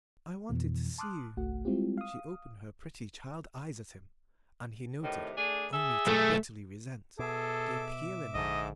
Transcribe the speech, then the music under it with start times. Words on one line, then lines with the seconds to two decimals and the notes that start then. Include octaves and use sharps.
"I wanted to see you." She opened her pretty child-eyes at him, and he noted, only to bitterly resent, the appeal in them.
0.50 F2 B2 E3
0.98 A5 C6 D6 D#6 F6 F#6
1.37 G1 C2 A3 F#4 F#5
1.65 G3 G#3 C4 E4 F4 G4
1.97 F5 D#6
5.02 A2 C3 D#3
5.37 A3 D4 G#4
5.73 G#4 A4 E5
6.07 B1 A3
7.19 B2 G#4 A4 E5 D6
8.34 A#1 G#2 D3 D#5